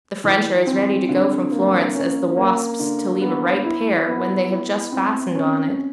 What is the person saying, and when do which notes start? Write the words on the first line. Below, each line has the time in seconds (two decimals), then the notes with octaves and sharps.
"The French are as ready to go from Florence as the wasps to leave a ripe pear when they have just fastened on it."
0.24 E3
0.67 C4
1.09 D3
1.51 A#3
1.94 C#4
2.37 A#3
2.80 D3
3.21 B3
3.65 E4
4.08 B3
4.49 E4
4.92 C4
5.35 C#4